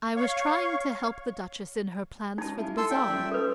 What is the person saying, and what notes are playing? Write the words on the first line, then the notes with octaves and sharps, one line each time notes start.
"I was trying to help the Duchess in her plans for the bazaar."
C#5 F5 C#6
G#3 C#4 D#4 A5
E4 F4 G4
A4 C6 E6
C5 D5 E5 G5
G3 C#4 F4
A4 B4